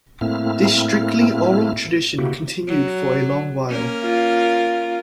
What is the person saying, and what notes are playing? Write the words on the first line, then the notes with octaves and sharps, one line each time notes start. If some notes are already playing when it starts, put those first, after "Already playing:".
This strictly oral tradition continued for a long while.
A2 A3 A#3 C4 E4 F6
C#3 A#3 E4 F#4 G4
F#3
A#3 C#4 A#4
F4